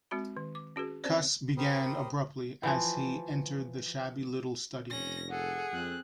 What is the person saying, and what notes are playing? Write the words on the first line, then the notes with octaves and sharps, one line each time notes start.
Cuss began abruptly, as he entered the shabby little study.
G#3 C4 F#4 B5
D#3
D6
C#4 F#4 G#4 B4
C4 C#4 C5 D5
G4 A#4 C5 B5 C6 D#6
E3 F3
F1 C#4 A#6
G#4 A4 F#5
F2 C4 F#6